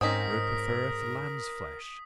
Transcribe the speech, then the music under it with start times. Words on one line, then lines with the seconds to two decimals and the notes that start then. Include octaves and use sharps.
For it preferreth lamb's flesh.
0.01 G#2 C4 C#4 D#4 A#4 D#6 B6